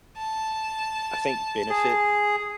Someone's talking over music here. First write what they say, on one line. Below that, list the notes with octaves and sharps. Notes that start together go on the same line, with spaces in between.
I think, benefit
A5
G#4